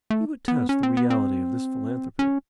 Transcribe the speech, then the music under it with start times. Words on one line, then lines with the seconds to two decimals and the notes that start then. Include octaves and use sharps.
He would test the reality of this philanthropy.
0.10 A3
0.48 B3
0.69 C#4
0.83 C4
0.97 B3
1.10 C4
2.19 C#4